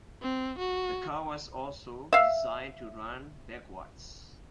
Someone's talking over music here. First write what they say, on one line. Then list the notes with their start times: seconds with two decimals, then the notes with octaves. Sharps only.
The car was also designed to run backwards.
0.22 C4
0.59 F#4
2.13 E5 F5